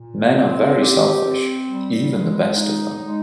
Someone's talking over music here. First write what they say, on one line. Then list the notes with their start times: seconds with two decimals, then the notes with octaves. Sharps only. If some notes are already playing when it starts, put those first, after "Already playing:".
Men are very selfish, even the best of them.
Already playing: A#2
0.37 C4
0.80 G4
1.24 C4
1.67 G3
2.12 G#3
2.55 D#4
2.99 G#3